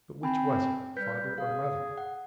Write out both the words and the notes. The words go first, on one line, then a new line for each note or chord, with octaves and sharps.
But which was it, father or mother?
C4 G#5 B5
G3 B4 G6 B6
G#4 F5
F#5